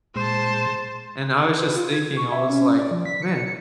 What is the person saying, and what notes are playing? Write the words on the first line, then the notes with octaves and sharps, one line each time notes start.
and I was just thinking, I was like, "Man"
A#2 G#3 C5 A5
B4
F4
G#6
C#6
E5
C#4
D5
F3
B6
C#7